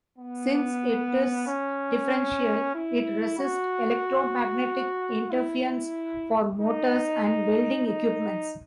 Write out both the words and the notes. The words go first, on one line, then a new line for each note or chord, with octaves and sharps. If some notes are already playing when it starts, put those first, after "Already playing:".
Since it is differential, it resists electromagnetic interference from motors and welding equipment.
B3
C#4
E4
F#4
E4
D#4
D#4